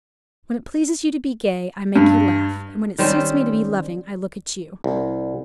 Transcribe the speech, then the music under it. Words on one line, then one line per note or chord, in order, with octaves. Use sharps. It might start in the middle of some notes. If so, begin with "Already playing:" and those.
When it pleases you to be gay, I make you laugh; when it suits me to be loving, I look at you.
G2
D#3 G3 C4 C#4
C2